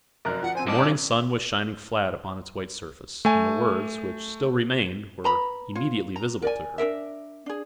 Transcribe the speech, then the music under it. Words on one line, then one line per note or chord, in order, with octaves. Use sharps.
The morning sun was shining flat upon its white surface, and the words, which still remained, were immediately visible to her.
F1 F#2 A#4 D5 F#6
F3 F#5
C4 C5 G#5
G2 D5 D#5 A5
G3 C#4 G#6
A3 G#5
B4 A#5 B5
F4 C#5
A#5
A#4 D5 G#5
D4 F4 A#4 E5
D4 G#4